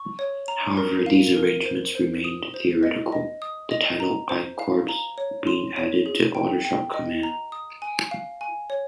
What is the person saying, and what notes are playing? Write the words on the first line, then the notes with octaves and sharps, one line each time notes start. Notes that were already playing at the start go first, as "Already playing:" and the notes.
However, these arrangements remained theoretical, the title 'I Corps' being added to Aldershot Command.
Already playing: C#6
C#5
A#5
A#4
F5
A#4
C5
C5
D#6
C5
D#5
D#5
D#6
D#5
A#5
C5
F5
A#5
C#5
C6
C#5
G#4
G5
G5
D#5
A#5
D#6
G#5
F5
G#5
C#5